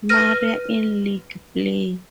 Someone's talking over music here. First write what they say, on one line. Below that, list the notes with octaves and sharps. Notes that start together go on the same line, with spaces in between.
Marie in league play.
B4 F6 A#6 D#7